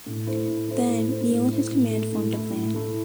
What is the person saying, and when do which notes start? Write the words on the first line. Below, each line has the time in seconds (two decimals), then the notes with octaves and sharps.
Then, Neill and his command formed a plan.
0.06 A2
0.27 A3 E4 C5
0.48 A2
0.68 A3 E4 C5
0.89 A2
1.10 A3 E4 C5
1.30 A2
1.51 A3 E4 C5
1.71 A2
1.91 A3 E4
2.13 A2
2.33 A3 E4
2.53 A2
2.74 A3 E4